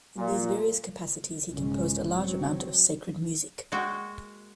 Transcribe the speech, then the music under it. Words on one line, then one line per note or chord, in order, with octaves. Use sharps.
In these various capacities he composed a large amount of sacred music.
A#2
B1 G#2 C#3 C#4
F#3 C4
G#3 A#3 F#4 G5